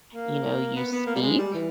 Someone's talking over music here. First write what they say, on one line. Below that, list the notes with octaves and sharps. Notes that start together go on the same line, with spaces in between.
you know, you speak
A#3
B3
B3
A#3
G3
G#3
G3
E3